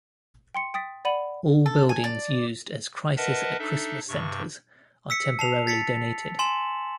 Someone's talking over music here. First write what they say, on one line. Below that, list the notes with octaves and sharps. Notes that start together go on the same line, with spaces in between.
All buildings used as Crisis at Christmas Centres are temporarily donated.
G5 C6 C#7
G5 D#6 A6 B6
D5 F#5 B5 D#7 F#7
A4
G#5
D5
A#4 B4 D#5 E5 F#5 A5
D4 D#4 A4 E5
G2 C3 C#6
E6 B6 C#7
A5 C7 F7
A6 B6 C#7
G#5 C6 E7 F#7